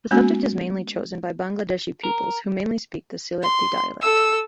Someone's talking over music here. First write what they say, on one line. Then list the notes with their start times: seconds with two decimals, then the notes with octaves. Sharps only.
The subject is mainly chosen by Bangladeshi pupils, who mainly speak the Sylheti dialect.
0.11 G#3 A#3 B3 C#4 F#4
2.03 A#4
3.43 C6
4.01 A4 E6